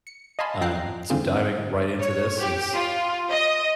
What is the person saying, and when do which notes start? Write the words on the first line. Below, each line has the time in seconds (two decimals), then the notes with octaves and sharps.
um, so diving right into this is,
0.07 C#7
0.39 D#5 F5 G#5 A5 B5 C6
0.61 F#2 F3 G5 A#5 F#6 C7
1.10 D3 E3 G3 C4 F4 G#4
2.00 C#5
2.40 G4
2.74 F4
3.30 D#5